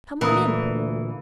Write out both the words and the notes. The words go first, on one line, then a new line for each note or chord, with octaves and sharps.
"Come on in."
D2 A#2 D3 E3 A#4 A#5 D#6